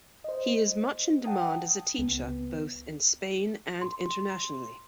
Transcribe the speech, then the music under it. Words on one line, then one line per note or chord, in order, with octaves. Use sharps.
He is much in demand as a teacher, both in Spain and internationally.
C5 D#5
F#5 G5 A5 A#5 D#6
C#2 B3
C6